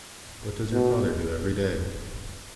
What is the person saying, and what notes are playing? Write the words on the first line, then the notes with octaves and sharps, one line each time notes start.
What does your father do every day?
B2